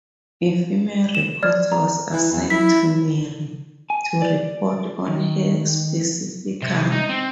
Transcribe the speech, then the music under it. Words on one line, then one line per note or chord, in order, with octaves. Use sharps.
A female reporter was assigned to Mary to report on her specifically.
E7
D5 F6 G#6
A#5
E3
E2
E4 B6
G#5
D5
D#3
C3
D#4
C4